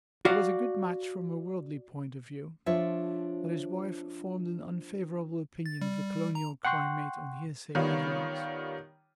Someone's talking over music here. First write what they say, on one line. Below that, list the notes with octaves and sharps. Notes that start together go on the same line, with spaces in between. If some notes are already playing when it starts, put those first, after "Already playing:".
It was a good match from a worldly point of view, but his wife formed an unfavourable opinion of the colonial climate on hearsay evidence.
F#4 D5 F5
F3 D4 F4 C#5 E5
A6
G3
A#5
F#5 G5 C6 C#6 F#6
D#3 G3 B3 F4 C#5